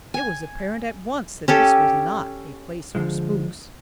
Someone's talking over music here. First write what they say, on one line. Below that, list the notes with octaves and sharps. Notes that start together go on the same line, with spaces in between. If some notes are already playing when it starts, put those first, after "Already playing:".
It was apparent at once that this was not a place for spooks!
G#5
C#4 G4 A4
D3 F3 G#3